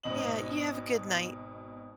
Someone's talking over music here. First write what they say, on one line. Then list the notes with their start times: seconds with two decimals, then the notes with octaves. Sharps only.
Yeah, you have a good night.
0.03 G#1 B2 D#5 F#7